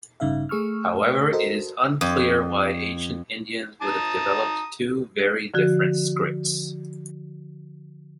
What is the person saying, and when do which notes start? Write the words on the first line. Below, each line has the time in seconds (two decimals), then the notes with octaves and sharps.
However, it is unclear why ancient Indians would have developed two very different scripts.
0.20 A1 G2 C#3 D#4 E5 F5
0.49 A3 G#4 C#6 E6 F6
1.33 F#4 A4 A#4 C5 D#5
2.01 F2
3.82 A5 A#5 D#6
5.54 D3 F3 F#4